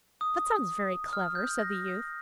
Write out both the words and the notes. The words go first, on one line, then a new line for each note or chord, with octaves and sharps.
'That sounds very clever,' said the youth.
D#6
F6
G6
A#6